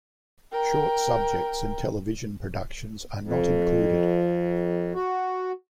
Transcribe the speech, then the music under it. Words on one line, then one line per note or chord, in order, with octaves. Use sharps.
Short subjects and television productions are not included.
A#4 G5
F2
F#4